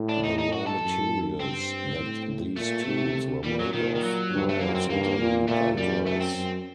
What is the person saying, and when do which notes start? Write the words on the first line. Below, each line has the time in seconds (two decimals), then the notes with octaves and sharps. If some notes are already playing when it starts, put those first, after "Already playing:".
The raw materials that these tools were made of were also very diverse.
Already playing: A2
0.09 D4
0.24 D#4
0.39 D#4
0.53 F#4
0.67 A4
0.82 F#2
1.40 G2 C4
1.98 A2
2.56 A#2 A3
2.86 C3
3.44 A#2 G3
3.59 F#3
3.73 A#2 D#3
3.95 D#3
4.03 F#3
4.31 G2
4.49 A3
4.60 F#2 A#3
4.75 C4
4.90 G2 A#3
5.04 A#3
5.19 A#2
5.48 A#2 A3
5.77 F#2 G3
6.07 A3
6.20 C4
6.35 F#2